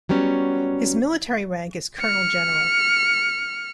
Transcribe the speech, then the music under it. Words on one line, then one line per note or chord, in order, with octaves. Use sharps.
His Military rank is Colonel-General.
F#3 G3 B3 C#4
F6 C#7